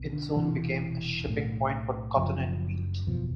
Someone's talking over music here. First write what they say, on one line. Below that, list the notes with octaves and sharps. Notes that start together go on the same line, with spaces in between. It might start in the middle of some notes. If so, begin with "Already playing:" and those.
It soon became a shipping point for cotton and wheat.
Already playing: B1 B2
D3
E1 E2 C3 E3
B1 A2
F#1 F#2 C#3 F3
F#1 E2 B2 F3